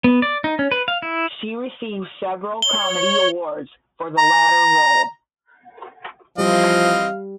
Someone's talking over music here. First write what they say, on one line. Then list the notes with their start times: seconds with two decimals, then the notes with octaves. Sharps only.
She received several comedy awards for the latter role.
0.04 B3
0.22 D5
0.44 D#4
0.59 C#4
0.71 B4
0.88 F5
1.02 E4
2.62 C#5 G7
4.18 A#5
6.38 E3 F3 G3 C4 D#5 F5